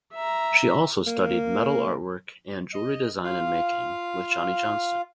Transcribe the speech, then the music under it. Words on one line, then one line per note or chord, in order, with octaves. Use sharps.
She also studied metal artwork and jewellery design and making with Johnny Johnstone.
E5 A#5
A#3
D#5
F4 F5